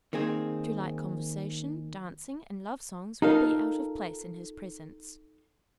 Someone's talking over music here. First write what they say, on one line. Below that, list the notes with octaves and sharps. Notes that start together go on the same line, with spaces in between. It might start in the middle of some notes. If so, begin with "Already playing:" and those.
Too light conversation, dancing and love songs, would be out of place in his presence.
D#3 A#3 C4 G#4
D#4 F4 A4 A#4 F5